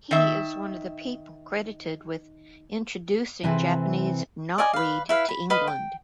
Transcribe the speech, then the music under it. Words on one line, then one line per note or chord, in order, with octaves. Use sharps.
He is one of the people credited with introducing Japanese knotweed to England.
D#3 E5
C3 E3 C4 E4 G#4 A4
D5 D#5 G#5
B4 F5
E4 B4 F5
B5
B4 D#5 F5 B5
G5